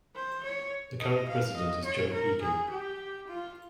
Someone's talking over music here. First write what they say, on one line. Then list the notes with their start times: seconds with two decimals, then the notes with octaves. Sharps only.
The current president is Joe Eagan.
0.15 C5
0.44 C#5
1.01 D#5
1.29 F5
1.57 D#5
1.85 C#5
2.13 A#4
2.42 G#4
2.70 G4
3.27 F4